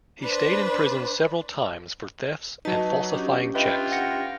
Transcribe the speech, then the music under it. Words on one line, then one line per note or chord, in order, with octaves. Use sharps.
He stayed in prison several times for thefts and falsifying checks.
D4 B4 C5
F#3 D#4 B4 D#5 A5
C#4 D4 G4
F4 B4 D#5 E5 G5 B5
F#5 A#6 C#7